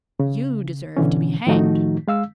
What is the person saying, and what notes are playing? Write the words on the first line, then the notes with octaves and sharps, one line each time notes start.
You deserve to be hanged.
C#3
B2 D3 E3 C#4
A2 D#3 F3 A3 D#4 F#4
G#3 F5 E6